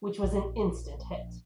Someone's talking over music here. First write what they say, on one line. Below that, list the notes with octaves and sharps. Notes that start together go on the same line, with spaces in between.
Which was an Instant hit.
A#1